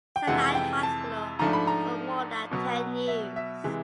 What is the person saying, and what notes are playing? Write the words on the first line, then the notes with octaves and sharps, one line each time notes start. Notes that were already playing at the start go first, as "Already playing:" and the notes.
Sinai Hospital for more than ten years.
G5
F2 C3 E3 G#3 F#5
G5
A5
G#2 F3 A3 D4 A#5
B5
A#5
B2 F#3 B3
E5
E5
C3 E3 G#3